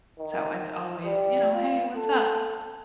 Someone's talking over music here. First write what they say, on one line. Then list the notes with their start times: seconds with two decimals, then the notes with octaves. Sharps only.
so, it's always, you know, "Hey, what's up?"
0.18 D#3
1.04 G3
1.53 F4
1.96 A4